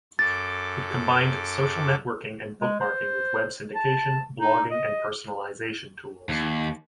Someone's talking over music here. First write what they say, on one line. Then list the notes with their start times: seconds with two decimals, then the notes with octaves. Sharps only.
It combined social networking and bookmarking with web syndication, blogging and personalization tools.
0.19 F#2 A4 D6 A6
2.61 G#3
2.80 C5
3.75 A5
4.40 D#4
4.71 D#5
6.29 D#2